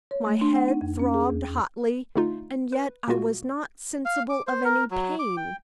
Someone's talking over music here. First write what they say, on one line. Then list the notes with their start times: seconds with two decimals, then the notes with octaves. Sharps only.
My head throbbed hotly--and yet I was not sensible of any pain.
0.11 C#5
0.27 A3
0.41 D4
0.55 F#5
0.68 D#4
0.81 F2
0.99 C#4
1.14 G#4
1.30 E2
1.43 G5
2.15 D3 A3 D#4 F4
2.72 B4
3.08 A#2 G#3 A#3 F4 F#4
4.05 F5
4.29 D6
4.47 C5
4.65 A#4
4.91 F#3
5.19 D6
5.37 G5